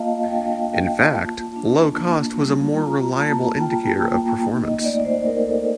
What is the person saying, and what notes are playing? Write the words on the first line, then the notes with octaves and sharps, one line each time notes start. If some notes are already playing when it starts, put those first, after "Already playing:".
In fact, low cost was a more reliable indicator of performance.
Already playing: A#3 F4 D#5 F5 A5
D#5
G5
D4 F5
G5
A#3 G5
A5
F4
D4
A#3
G3
F4 A#5
A#3 A5
F4 G5
A#3 G5
D#4
D#5
A3 D5
C5
D#4 A#4
A4